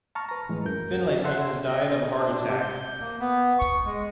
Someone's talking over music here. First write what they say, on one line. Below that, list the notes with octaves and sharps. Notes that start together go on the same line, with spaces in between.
Finlayson had died of a heart attack.
A5 A#5 C#6 F6
B4 A#5
A2 E3 F3 G#3
F#2 A#4 G6
C#4
A4 E5 F#5 C6 F#6
D#5
D4
C3
G6
A#3
B3
C#6
G#3